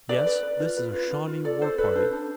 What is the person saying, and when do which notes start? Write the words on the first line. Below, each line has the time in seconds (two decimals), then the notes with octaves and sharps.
Yes, this is a Shawnee war-party.
0.09 B4 D5
0.26 B4
0.43 B4
0.60 F4
0.77 B4
0.93 F4
1.11 F4
1.28 F4
1.44 A4 D5
1.61 A4 C5
1.78 A4 B4
1.95 D4 C5
2.13 D4